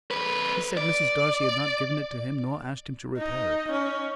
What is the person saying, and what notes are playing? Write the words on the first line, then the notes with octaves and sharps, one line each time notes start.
He said Mrs. Darcy had not given it to him, nor asked him to repair it.
F2 B4
D5
D#4
C#4